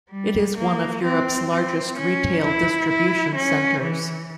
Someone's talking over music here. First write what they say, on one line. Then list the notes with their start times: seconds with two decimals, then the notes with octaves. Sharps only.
It is one of Europe's largest retail distribution centres.
0.11 G3
0.57 A#3
1.04 C4
1.50 C4
1.97 C#4
2.43 E4
2.90 E4
3.35 C#4
3.81 E3